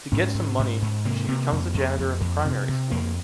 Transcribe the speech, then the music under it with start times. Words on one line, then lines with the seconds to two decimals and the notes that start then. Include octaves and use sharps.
To get some money, she becomes the janitor of a primary school.
0.12 G#2 C#4
0.35 G#2
0.59 G#2
0.82 G#2
1.05 C3 A#3
1.28 C3
1.52 F2
1.74 F2
1.99 F2
2.21 F2
2.45 C3
2.69 C3
2.91 F2 A#3